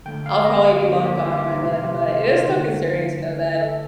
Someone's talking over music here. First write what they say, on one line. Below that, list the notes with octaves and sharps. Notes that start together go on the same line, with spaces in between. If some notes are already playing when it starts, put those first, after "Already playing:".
I'll probably be long gone by then, but it is still concerning to know that
D3 A3 G5
F5
D#5
D3 G3 A#3 G4
G4
F4
G4
D#4
C3 D#3 A3 F4
G4
F4
F4
D3 G3 A#3 D#4
F4
D3 A3
A4